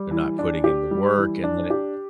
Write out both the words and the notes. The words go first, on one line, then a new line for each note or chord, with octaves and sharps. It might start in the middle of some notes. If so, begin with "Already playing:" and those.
They're not putting in the work, and then it
Already playing: G3
E3
D4
G4
G3
E3
D4
G4